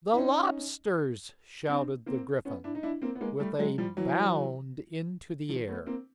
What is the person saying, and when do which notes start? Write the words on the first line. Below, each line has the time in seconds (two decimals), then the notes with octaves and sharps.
'The lobsters!' shouted the Gryphon, with a bound into the air.
0.13 E4
0.17 C#4 D#4
1.69 C4 D4
2.06 A#3 C4
2.45 B3 C#4
2.64 D4 E4
2.75 D#4
2.83 D4 E4
3.02 A#3 C4
3.15 B3
3.21 G#3 A#3
3.40 G3 A3
3.59 F#3 G#3
3.78 F3 G3
3.97 E3 F#3
5.49 D#3 F3
5.68 A3 B3
5.86 A#3 C4